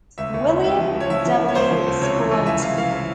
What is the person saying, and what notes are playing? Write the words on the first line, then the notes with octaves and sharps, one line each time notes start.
William W. Scranton.
C#2 E5
C#2
C#2
C#2 E5
F3
C#2
C#5
F3 E5
F3
F3
C#5
C#2 C5
F3
C#2
C3 C#5
E3
E3
C#2 E5
E3 F5
C#2 F5
E3